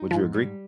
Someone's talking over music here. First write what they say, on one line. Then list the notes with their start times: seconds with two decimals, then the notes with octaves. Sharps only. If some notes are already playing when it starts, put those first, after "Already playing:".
Would you agree?
Already playing: D#4
0.11 G#2 F3
0.34 G3